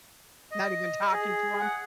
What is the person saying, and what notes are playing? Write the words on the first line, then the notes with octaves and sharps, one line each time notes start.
Not even talking to him?
D#5
G#4
F#5